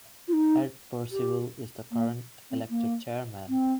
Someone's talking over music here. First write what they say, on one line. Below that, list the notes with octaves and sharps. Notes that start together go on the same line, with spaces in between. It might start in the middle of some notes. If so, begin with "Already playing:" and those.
Ed Percival is the current elected chairman.
F4
D#4
G4
A#3
C4
A#3
C4